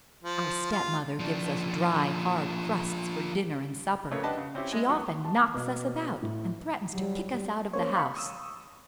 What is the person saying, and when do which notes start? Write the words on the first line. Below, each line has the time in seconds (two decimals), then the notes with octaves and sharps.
Our stepmother gives us dry hard crusts for dinner and supper; she often knocks us about, and threatens to kick us out of the house.
0.23 F3
0.71 F4
1.20 F3 D4
4.11 F2 C#3 A3 A#3 B4 C#5
4.23 D4 G4 B4 D#5 F#5 A5
4.37 C#3
4.55 C4 C#4 E4 G4
4.73 G#3 E4 D#5
4.89 E2 F#3 F#5
5.25 A5
5.54 B2
6.22 A2
6.91 F#3 G3
7.73 A#3 C#4 C5 C#5
7.96 F5 B5 C#6
8.14 C#6 D#6 E6